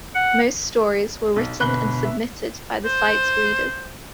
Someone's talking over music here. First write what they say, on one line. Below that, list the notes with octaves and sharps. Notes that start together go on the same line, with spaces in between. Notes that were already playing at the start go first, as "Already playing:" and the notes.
Most stories were written and submitted by the site's readers.
F#5
B1
G1 B2 B4 F#6 G7
E5
C5